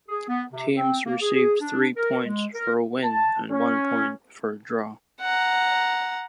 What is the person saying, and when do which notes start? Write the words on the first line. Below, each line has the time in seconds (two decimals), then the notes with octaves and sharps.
Teams received three points for a win and one point for a draw.
0.09 G#4
0.29 B3
0.53 C3
0.76 C4
1.06 A#3
1.22 G#4
1.61 D4
1.97 A#4
2.25 G#3
2.55 A#4
3.04 A5
3.51 C#4
5.21 F#5 A#5